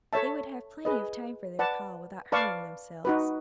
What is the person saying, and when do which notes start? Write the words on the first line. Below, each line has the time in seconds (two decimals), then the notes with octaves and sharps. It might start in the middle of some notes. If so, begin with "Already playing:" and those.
They would have plenty of time for their call without hurrying themselves.
0.13 A4 C#5 E5 A5
0.85 G#4 B4 D#5
1.59 B4 D5 F#5 A5
2.32 B4 D5 F5 A5 C#6
3.05 D#4 F#4 B4